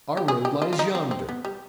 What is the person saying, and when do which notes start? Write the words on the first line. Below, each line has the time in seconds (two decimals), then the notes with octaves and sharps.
"Our road lies yonder."
0.17 G4
0.28 G#4
0.45 G4
0.62 F4
0.73 F4
0.79 D#4
0.95 C4
1.11 C4
1.29 B3
1.45 G3